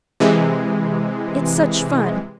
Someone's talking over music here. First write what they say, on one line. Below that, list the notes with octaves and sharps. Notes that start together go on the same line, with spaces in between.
It's such fun!
C3 E3 G#3